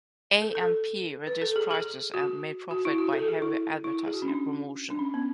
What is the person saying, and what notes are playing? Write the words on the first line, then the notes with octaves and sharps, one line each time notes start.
A and P reduced prices and made profit by heavy advertising and promotion.
A4
A4
B4
A4
G#4
G#4
F#4
F#4
E4
F#4
A4
G#4
E4
E4
G#4
F#4
C#4
D4
D4
C#4
B3